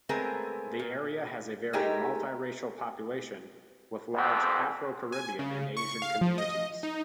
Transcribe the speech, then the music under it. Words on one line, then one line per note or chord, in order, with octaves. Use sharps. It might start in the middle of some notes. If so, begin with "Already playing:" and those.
The area has a very multi-racial population, with large Afro-Caribbean and Asian communities.
G#3 A3 B3 C4 G#4 A#4
A#2
G#3 A3 D#4 G4 G#4 A#4
A1 F2 G#2 G3 B3 C4
G#5
C#3
C#6
F5
F3
D#5
D#4